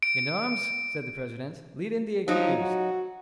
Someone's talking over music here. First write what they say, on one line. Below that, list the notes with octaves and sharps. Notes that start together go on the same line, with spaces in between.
"Gendarmes," said the president, "lead in the accused."
D7
F3 F#3 D#4
F#4